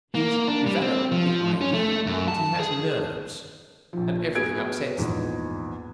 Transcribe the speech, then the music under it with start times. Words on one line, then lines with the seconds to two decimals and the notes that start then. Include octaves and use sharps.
He's developed the idea that he has nerves and everything upsets them.
0.15 A#3
0.48 D4
0.67 G3
0.82 C4
1.12 F3
1.61 C#4
1.74 A3
2.07 F#2
2.28 A5
2.60 G#4
3.93 A#1 F3
4.35 B3 F#4 G#4 G#6 D7
4.97 A#1 E2 G#2